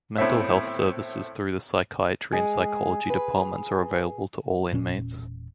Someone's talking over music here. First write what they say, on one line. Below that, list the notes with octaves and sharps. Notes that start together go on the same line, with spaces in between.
Mental Health Services through the Psychiatry and Psychology Departments are available to all inmates.
A2 B3 C4 A4 C#5 E5
G#3 G#4
B4
E1 A#2 A#3 C#4